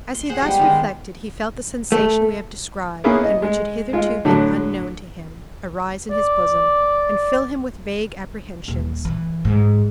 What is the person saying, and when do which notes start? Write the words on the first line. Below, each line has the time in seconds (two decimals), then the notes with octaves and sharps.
As he thus reflected, he felt the sensation we have described, and which had hitherto been unknown to him, arise in his bosom, and fill him with vague apprehensions.
0.15 C6
0.29 G#4 C5 F#5
0.42 G3 G#3 B3
0.59 D#3 G#3
1.92 A3
3.04 A#3 B3 C#4 E4 G#4
3.23 D#5
3.42 G#3
3.93 G#3 F4
4.25 A2 D3 F#3
6.10 D5
8.68 D#1
9.05 E3
9.45 G#2